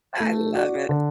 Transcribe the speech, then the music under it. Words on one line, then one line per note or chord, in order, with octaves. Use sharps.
I love it.
A3
F#4 D5
D3